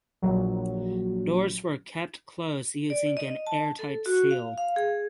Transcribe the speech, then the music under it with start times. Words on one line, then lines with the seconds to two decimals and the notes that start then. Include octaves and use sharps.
Doors were kept closed using an airtight seal.
0.22 A#1 F#3
2.90 D5
3.17 D#5
3.47 A5
3.79 A4
4.06 F#4
4.31 F5
4.58 F5
4.76 G#4